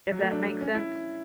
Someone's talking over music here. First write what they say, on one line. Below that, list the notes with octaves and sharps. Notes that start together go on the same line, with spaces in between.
if that makes sense.
F#3
A3
D4
D4
C#4
E4